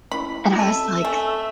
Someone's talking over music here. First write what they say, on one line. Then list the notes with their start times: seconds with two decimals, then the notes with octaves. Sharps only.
and I was like
0.12 A3 C#4 E4 B5
0.58 C4 A4 D#5 E5 A5
1.05 A3 G#5